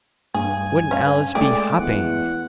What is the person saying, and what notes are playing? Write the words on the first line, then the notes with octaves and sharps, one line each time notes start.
Wouldn't Alice be hopping!
G2 G#4 G#5
C#4 F5
C#3 G#3 A3 G#4 D5 G5 D6
E2 F#5